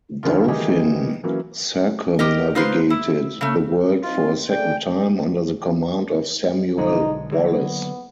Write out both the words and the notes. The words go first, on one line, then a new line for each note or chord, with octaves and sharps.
"Dolphin" circumnavigated the world for a second time, under the command of Samuel Wallis.
D2 D3 D#3 F3 F4
D#3 E3 G3 D#4 G4 G#4
E3 F#3 A#3 C#4
G4 A#4 D#5
D#4 F4 B4 C5
E4
C#3 A3
C4 D#4 F4
A3 G#4 D5 G5
B1 D3 G#3 D#4
D3 F#3 A#3 B3